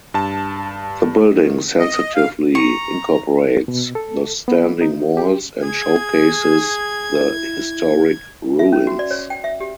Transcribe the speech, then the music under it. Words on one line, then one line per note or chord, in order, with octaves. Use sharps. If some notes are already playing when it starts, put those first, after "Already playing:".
The building sensitively incorporates the standing walls and showcases the historic ruins.
G2 A5
D#3
D#5
F5
A#5 C#6
B2
A4
B3
D#4
G4
G#4 G#6
E4
E5
C#4
F#4
D5
C#5
G5
E5
G4